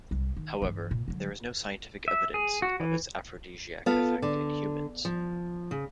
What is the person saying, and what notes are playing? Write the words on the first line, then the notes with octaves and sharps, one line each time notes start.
However, there is no scientific evidence of its aphrodisiac effects in humans.
C2
D#3
G2 E3
A#2
D3 F#3
E5
G#4
F#4
E3
B3 F4 A4 F5
D3
F3
C#3